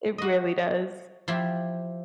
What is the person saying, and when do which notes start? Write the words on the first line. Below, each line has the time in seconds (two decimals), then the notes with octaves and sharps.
It really does.
0.18 F#4 D#5
1.28 F3 E4 G4